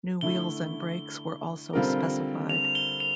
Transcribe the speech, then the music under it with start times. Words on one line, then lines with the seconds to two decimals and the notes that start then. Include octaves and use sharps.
New wheels and brakes were also specified.
0.21 D3 A3 E4 G7
1.73 D3 G3 C4 F4 A#4
2.49 F7
2.75 G7
3.00 F7